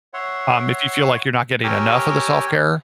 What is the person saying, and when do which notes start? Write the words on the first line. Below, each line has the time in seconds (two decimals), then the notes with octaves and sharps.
um, if you feel like, you're not getting enough of the self-care,
0.14 C#5 E5 F#5 C6
1.64 G4 A#4 C#5 G5 G#5 E6